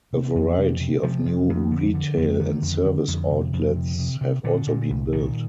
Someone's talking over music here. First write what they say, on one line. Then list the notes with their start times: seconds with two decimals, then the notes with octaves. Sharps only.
A variety of new retail and service outlets have also been built.
0.13 C3
0.35 F2
0.58 C3
0.80 C3
1.03 C3 F3
1.26 F2
1.49 F2
1.71 D3
1.94 D3
2.17 F2
2.40 D3 D#3
2.62 F2
2.85 D3
3.08 F2 D3
3.30 C3
3.53 F2
3.76 C3
3.99 C3
4.21 C3
4.44 A#2 D3
4.67 A#2
4.90 C2
5.12 A#2 D#3